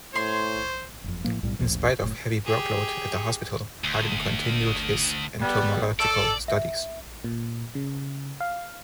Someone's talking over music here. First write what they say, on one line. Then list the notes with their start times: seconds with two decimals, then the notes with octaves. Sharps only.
In spite of the heavy workload at the hospital, Hagen continued his entomological studies.
0.15 A2 C5 C#5 C6
1.04 F#1 F2
1.24 A2 F3 A#3
1.43 B1 A2 G3
1.59 A1 D#2 F3
2.02 F#1 A2
2.45 G4 G#4
3.84 D2
5.41 G3 B3
6.00 A4 D5
6.48 E5
7.24 A#2
7.75 C#3
8.40 F5